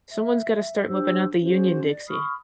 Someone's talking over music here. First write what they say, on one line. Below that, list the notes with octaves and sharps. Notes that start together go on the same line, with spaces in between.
Someone's gotta start whipping out the union Dixie.
E5
D4 G4 C5 E6
C#4 F#4 G#4 C5
D5
B5 C#6 D#6 F6